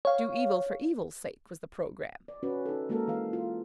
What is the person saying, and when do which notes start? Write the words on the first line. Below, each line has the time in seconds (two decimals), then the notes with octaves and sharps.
Do evil for evil's sake was the programme.
0.05 C#5 F5
2.28 D5
2.43 C#4 F#4 B4
2.66 D#4 A4
2.89 G#3 A#3 F#4 A4 A#4
3.08 E3 F5
3.33 F4